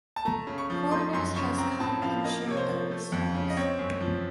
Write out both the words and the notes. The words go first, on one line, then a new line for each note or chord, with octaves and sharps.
Foreigners has come and shared their wisdoms.
A5
A3 A#5
C#3
C#6
F3
A3 C6
F#2 C6
C#3 C#6
C4 A#5
A2 A5
F3 F5
A#3 D#5
C3 C#5
C5
F3
A3
F2
C#3
D#5
C4 C#5
F#2
F3